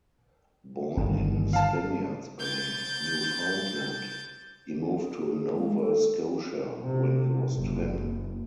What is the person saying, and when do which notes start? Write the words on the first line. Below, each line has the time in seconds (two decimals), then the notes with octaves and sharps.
Born in Spaniard's Bay, Newfoundland, he moved to Nova Scotia when he was ten.
0.97 G1 D#3
1.53 F5 A5
2.39 G6 A6
4.98 G#4
5.56 G#3
5.80 A4
6.82 C3
7.55 F#1